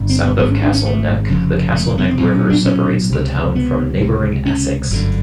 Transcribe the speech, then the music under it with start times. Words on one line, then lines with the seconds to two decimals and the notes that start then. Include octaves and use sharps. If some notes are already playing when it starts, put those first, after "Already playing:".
South of Castle Neck, the Castle Neck River separates the town from neighboring Essex.
Already playing: G1 G2 D3
0.10 C4
0.24 B3
0.39 G#1 G#2 B3
0.50 C#4
0.62 D4
0.73 C#4
0.85 A3
1.29 F1 F2 C#3
1.75 A3
1.85 A#3
1.98 B3
2.08 C4
2.19 B1 A#2 C4
2.34 C#4
2.50 D4
2.65 C#4
3.10 C#2 C3
3.55 B3
4.00 C#2 C3
4.46 C#4
4.91 G1 F#2 D3